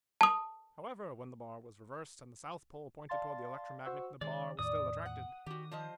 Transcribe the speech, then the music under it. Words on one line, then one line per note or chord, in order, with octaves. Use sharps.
However, when the bar was reversed and the south pole pointed toward the electromagnet, the bar was still attracted.
A5 D#6
D5 F5 A5 C6 A6
F#4 C5 F#5 C#6 E6
D#3 G#3 D5
E2 A2 D#3 D5 D#6
F#5
D#3 F#4 G4
F3 C5 D#5